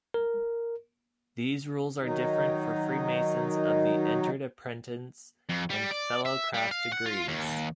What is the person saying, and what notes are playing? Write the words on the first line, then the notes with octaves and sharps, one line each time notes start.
These rules are different for Freemasons of the Entered Apprentice and Fellowcraft Degrees.
A#4
D#3 F#3 D#4
F2
G3
D5
E5
G3
F5
F#5
F4
D#2